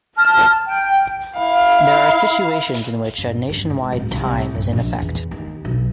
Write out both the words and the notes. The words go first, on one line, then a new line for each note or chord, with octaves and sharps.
There are situations in which a nationwide time is in effect.
A5 F6
G5
E4 F5
G2
G2
G#2
D1
C2
G2
A#1
E2
D#2
B1